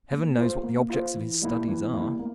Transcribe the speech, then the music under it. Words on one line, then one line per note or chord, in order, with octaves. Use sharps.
Heaven knows what the objects of his studies are.
A#3
F4 C5
A#3
F4 C5
E3
G3 A#3 E4
E3
G3 A#3 E4
A#3